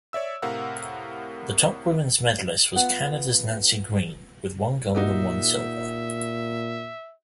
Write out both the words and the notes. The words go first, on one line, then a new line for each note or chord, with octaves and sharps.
The top women's medalist was Canada's Nancy Greene, with one gold and one silver.
C#5 D5 E5 E6
A2 C3 A#4 F5 F#5 E6
B3 F4 F#5
A#2 D#4 F#4 G4 E5